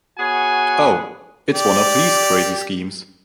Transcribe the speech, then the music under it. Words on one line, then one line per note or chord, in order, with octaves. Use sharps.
Oh — it's one of these crazy schemes.
B3 F#4 G#4 C#5 G#5
G4 D5